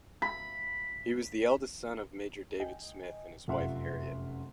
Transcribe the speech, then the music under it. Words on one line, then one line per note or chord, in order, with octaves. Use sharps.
He was the eldest son of Major David Smith and his wife Harriet.
B5
D#5 G5 G#5
F1 F#2 F4 E5 F#5 C6